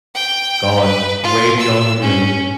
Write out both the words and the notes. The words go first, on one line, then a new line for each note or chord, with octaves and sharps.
gone way beyond the moon
G5
B4
F4
E6
C#4